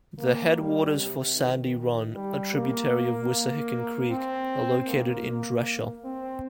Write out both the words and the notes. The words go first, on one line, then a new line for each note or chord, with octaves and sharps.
The headwaters for Sandy Run, a tributary of Wissahickon Creek are located in Dresher.
A#3
G3
C3
D#3
G3
A#3
A#3
C4
A#3
C4